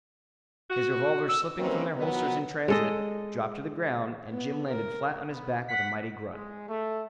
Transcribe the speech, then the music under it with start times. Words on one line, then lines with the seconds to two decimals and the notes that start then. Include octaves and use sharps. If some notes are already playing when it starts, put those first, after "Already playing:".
His revolvers slipping from their holsters in transit, dropped to the ground and Jim landed flat on his back with a mighty grunt.
0.70 F#4
1.29 E6
1.59 C3 D#3 A#3 C4 C#4 B4
1.97 B2 D#3 F3 F#3 B3
2.68 G#3 A4 D#5
4.31 B3
4.71 A#4
5.29 B3
5.68 F#5 B6
6.34 G#3
6.69 A3